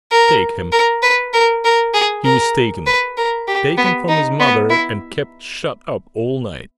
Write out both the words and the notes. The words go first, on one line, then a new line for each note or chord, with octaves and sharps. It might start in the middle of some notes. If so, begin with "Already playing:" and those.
'Take him.' He was taken--taken from his mother and kept shut up all night.
A#4
A#4
B4
A#4
A#4
G#4
A#4
B4
A#4
G4
B3
D#4
B3
E4